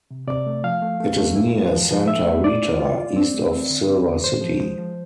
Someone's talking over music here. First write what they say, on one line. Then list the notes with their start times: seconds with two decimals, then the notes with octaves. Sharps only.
It is near Santa Rita, east of Silver City.
0.11 C3
0.28 C3 D5
0.47 A3
0.64 F3 F5
0.82 A3
1.00 A3
1.18 A3
1.36 E4
1.54 G#2
1.72 F3
1.90 F3
2.07 A3 E5
2.26 A3
2.44 A3 D5
2.63 E4
2.80 F4
2.97 F4
3.16 C4
3.34 A3
3.52 C4
3.70 D3
3.88 C4
4.06 D3
4.24 G#2 C5
4.41 F3
4.59 G#3
4.78 F3